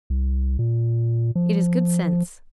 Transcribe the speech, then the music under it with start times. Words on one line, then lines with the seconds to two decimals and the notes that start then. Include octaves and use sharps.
It is good sense.
0.10 C2
0.59 A#2
1.35 F3